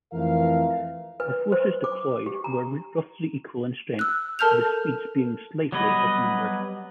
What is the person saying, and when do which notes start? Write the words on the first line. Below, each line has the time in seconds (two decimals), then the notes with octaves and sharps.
The forces deployed were roughly equal in strength with the Swedes being slightly outnumbered.
0.13 F2 E3 A3 A#4 F5
1.20 B4
1.52 C5
1.84 D6
2.26 G4
2.44 A#5
3.99 E6 F#6
4.39 A4 A#4 A5 F6 G6 F7
5.72 F#3 G3 B3 B4 D#5